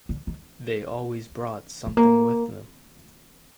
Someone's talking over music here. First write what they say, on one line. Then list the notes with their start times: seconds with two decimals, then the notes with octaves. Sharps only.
They always brought something with them.
0.09 D3
0.27 D#3
1.87 A3
1.97 A#3